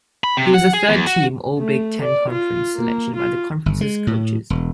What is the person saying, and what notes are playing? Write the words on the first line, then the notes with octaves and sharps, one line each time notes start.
He was a third-team All-Big Ten Conference selection by the conference's coaches.
B5
C3
F#5
G#4
E2
F#4
A3
D5
F4
A#3
F4
G1
G#3
A2
E1